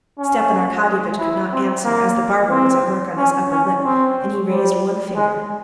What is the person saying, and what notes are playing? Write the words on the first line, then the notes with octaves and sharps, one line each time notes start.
Stepan Arkadyevitch could not answer, as the barber was at work on his upper lip, and he raised one finger.
C#4
E4
C4
A#3
C4
C#4
C#4
C4
G3
G#3